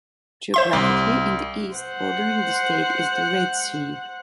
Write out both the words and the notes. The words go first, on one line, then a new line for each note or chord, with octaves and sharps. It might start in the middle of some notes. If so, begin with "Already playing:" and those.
Geographically, in the east, bordering the state, is the Red Sea.
C5 E5 C6
C2 D6
C5 F#5